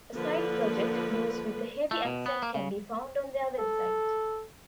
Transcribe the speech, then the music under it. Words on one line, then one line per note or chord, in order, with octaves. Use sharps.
A side project, Blues With A Heavy Accent can be found on their website.
D3 F3 A#3 A4 B4
A3
B2
B3
A#3
C#3
A4